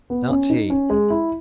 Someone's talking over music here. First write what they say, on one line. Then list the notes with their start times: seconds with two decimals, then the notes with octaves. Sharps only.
Not he.
0.10 B3
0.30 C#4
0.50 D#4
0.70 C#4
0.90 G#3
1.10 E4